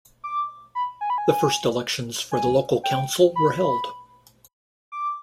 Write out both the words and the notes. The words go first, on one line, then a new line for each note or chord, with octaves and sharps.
The first elections for the local council were held.
D6
B5
G#5
B5
G#5
G#5
G5
B5
D6